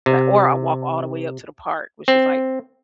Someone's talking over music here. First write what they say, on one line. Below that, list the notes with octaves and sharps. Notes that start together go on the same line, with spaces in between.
li or I walk all the way up to the park, which is, like,
C3
C4